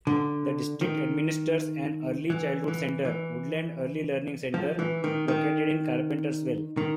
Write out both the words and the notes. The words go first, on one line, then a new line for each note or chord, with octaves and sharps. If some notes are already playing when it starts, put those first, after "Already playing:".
The district administers an early childhood center, Woodland Early Learning Center, located in Carpentersville.
D3
D#3
E3
E3
E3
F3
E3
D#3
D#3
D#3